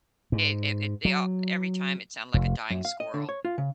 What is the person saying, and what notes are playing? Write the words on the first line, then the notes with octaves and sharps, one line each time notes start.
It it it they all every time it sound like a dying squirrel,
G#2
F#3
F1
F#2
F5
D#5
D3
C#5
F4
C#3